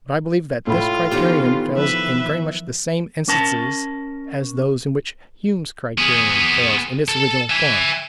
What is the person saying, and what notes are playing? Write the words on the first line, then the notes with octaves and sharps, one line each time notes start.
But I believe that this criterion fails in very much the same instances as those in which Hume's criterion fails in its original form.
A2 F4 B5
D#3 E3 B3 G4 C#5
F3 B4 E5
C#4 A#4 A5
B3 G#4
A4
E5 G#5